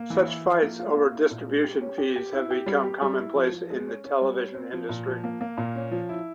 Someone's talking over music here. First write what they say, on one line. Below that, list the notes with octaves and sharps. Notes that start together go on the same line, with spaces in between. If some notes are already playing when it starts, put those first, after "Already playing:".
Such fights over distribution fees have become commonplace in the television industry.
Already playing: A#3
E3
E4
F3
A#3
F4
A#3
E4
A#2
G#3
G4
C#4
G4
G4
E4
G4
G3
G4
G3
E4
F3
F3
G#3
C#4
C#4
G3
C#4
C4
F3
A#2
F3
A#3
A#3
A#2
C#4
F3
E4